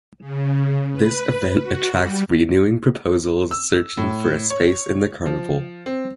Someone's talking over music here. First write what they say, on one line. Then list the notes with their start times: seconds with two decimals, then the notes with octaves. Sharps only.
This event attracts renewing proposals searching for an space in the carnival.
0.21 C#3
0.93 B4
1.62 F#4
1.93 G3
3.51 E6
3.97 A2
4.50 C#5
5.26 F3
5.86 C4